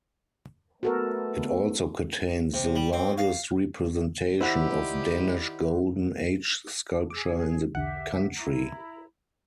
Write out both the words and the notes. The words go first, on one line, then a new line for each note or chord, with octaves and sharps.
It also contains the largest representation of Danish Golden Age Sculpture in the country.
A3 B3 F#4 A4 A#4
C3
G3
C4
F5
D#3 E4 G4 C5 D5 F#5
G#4 D6 E6
B1 E2 D3 G4 E5 F#5
E4 A#5